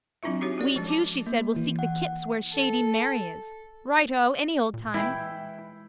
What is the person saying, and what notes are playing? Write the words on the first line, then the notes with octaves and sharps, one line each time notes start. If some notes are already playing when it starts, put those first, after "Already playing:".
We two, she said, will seek the kips where shady Mary is. Righto, any old time.
F#3 C4 D4 E4 F4 E5
D#4 F#4 G4 C#5
G4 A4 D5
F3 G#3 C#4
A5 D6
A#3
E3
F#5
A4
A#2
E3 G#3 E4 G5